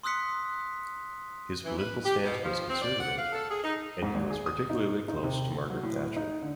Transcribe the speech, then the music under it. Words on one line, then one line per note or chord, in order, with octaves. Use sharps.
His political stance was conservative, and he was particularly close to Margaret Thatcher.
C6 D#6 E6 F#6 B6 C#7
E3
B4
G4
B2
F3
C4
D5
F#5
F5
A4
G#4
D#4
G#2
G#1
G#4
D#6
D#4
D#4
C3
A4
F#3
A2
D#4
D3